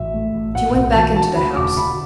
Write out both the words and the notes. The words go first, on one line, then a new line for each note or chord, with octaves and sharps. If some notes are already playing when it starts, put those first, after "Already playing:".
She went back into the house.
Already playing: A1 E5
A3
A1
A2 F#5
B1 F#5
E3 A5
D4 A5
D2 B5
E1 D6
D3 B5